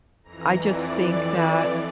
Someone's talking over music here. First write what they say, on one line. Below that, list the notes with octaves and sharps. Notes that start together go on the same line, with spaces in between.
I just think that,
F2 E3 A#5
D5
F2 E3